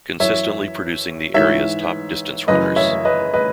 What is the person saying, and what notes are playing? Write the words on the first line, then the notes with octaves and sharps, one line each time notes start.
Consistently producing the area's top distance runners.
F#2 E3 C#5 E5
G#2 E3 C#5 E5
F#2 C#3 E3 B4 D#5
C#5 E5
B4 D#5
B4 D#5